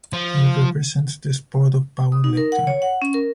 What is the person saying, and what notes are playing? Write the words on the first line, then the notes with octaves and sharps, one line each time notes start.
He represents the sport of Powerlifting.
F3
D#6
D#4
A#4
F#5
C#5
F#5
C#4
A#4